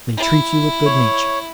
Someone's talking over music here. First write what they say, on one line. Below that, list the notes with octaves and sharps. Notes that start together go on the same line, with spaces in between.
They treat you with good-nature.
E4
C#5